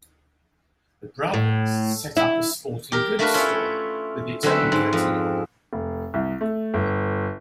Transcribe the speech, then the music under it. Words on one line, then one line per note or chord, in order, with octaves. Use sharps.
The brothers set up a sporting goods store with its own catalog.
A2
E4
G4 A#4
A3 A#3 D4 F#4 A#4 B4
C#4 E4 F4 C#5 B5
D3 F#3 C4 C#4 B4 E5
G#2
F2
F1
C2
A3
G1